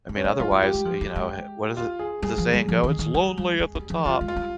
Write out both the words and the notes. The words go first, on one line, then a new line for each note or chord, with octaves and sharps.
I mean, otherwise, you know, he what is it the saying go, "It's lonely at the top."
G3
C#4
G#3
G3 F4
G#3
G3 G4
G#3
F3
G3
G#3
F4
G#4
G3 G#4
F3
G3
F3
D#3
D#3
G3
G3
G#3
G3
F3
G3 F4
G#3
F4
G3